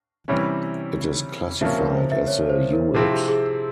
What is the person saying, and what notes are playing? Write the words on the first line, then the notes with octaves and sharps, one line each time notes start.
It is classified as a Hewitt.
C3 E3 G3 C#4 E4 C#5
C3 F3 A#3 C#4 E5
A#4
C5
E5
C#5
C5
A#4
C3 F3 C4 E4 G#4
G4
G#4